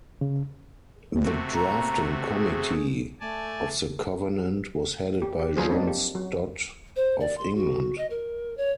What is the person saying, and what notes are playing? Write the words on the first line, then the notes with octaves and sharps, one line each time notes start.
The drafting committee of the covenant was headed by John Stott of England.
C#3
C3 A3 F#4
A#5
G#4
A3 D5 G#5 A5
G4
G4
F3 F#3 D4 G#4 B4 C5
A#3 C4 D4 D#4
A#3 G4
F#3
C5
D5
C6
F#4
D#5
A#4
C#5